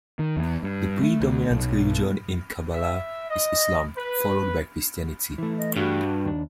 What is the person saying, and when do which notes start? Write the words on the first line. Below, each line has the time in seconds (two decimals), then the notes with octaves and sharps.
The predominant religion in Kabala is Islam, followed by Christianity.
0.19 D#3
0.37 E2
0.63 G2
1.03 A3
1.21 D2
1.50 B1
2.73 E5
3.30 D#5
3.97 B4
5.38 E3 A3 E4
5.58 D#5
5.76 G2 F#4
6.25 D#2 D4